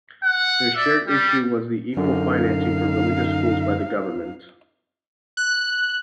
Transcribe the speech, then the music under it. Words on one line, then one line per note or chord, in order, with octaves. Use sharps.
Their shared issue was the equal financing for religious schools by the government.
F#5
D5 E5
G3
F#2 D3 D#4 F5
F#6